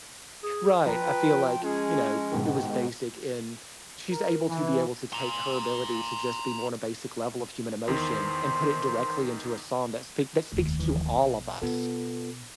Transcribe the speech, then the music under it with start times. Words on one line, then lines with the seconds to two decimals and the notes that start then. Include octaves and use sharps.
right, I feel like, you know, it was basic in she's able to be able to take her ability to just be more on a basic level of human emotion and put it directly into a song that speak that speaks to all of us.
0.43 G#4
0.86 F3 F4 B4 G5 A#5
1.63 G#3 C#4 G#4
2.32 G#2 B2 D#3 G4
4.09 A#4
4.47 E3
5.13 A#5 C6
7.88 E2 D#3 C5 C6
10.52 F1 D#2
10.80 E3 F3
11.15 A#1 B2
11.62 B2 B3 F4 A4